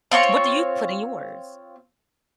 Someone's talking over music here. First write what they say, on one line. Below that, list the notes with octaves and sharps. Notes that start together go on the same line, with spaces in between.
What do you put in yours?
C4 F4 C#5 C#6